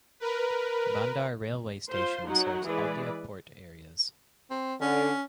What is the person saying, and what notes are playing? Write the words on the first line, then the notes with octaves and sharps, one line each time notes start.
Bandar railway station serves Haldia Port areas.
A#4 B4
F4 C5 C6
F#3 D#4 F#4 F#5
E3 G#3 G#4 B4 D5
C4
D3 C#4